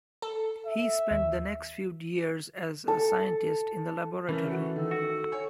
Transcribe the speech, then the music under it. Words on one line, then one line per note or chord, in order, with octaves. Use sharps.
He spent the next few years as a scientist in the laboratory.
A4
E5
D#2
A4
E3 A3 C#4 A#4
F#4
D#3 A4
F#4
C#5 G#5